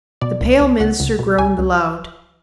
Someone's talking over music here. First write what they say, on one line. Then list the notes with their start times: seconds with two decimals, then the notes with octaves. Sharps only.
The pale minister groaned aloud.
0.21 B2 D5
0.41 C#2
0.61 C#2
0.80 C#2 F#5
1.00 C#2
1.19 B2
1.38 C#2 G#5
1.58 C#2